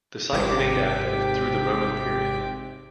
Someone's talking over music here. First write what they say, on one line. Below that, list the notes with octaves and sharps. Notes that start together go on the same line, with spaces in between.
The site remained active through the Roman period.
G#1 C3 G4 D6 B6